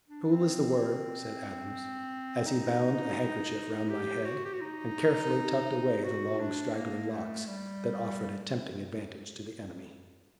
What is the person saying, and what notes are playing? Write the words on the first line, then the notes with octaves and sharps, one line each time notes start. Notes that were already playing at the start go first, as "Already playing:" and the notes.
"Cool is the word," said Adams, as he bound a handkerchief round my head, and carefully tucked away the long straggling locks that offered a tempting advantage to the enemy.
D4
C4
D#4
G4
F#4
G4
F#4
D#4
F#4
D4
A#3
A3
G3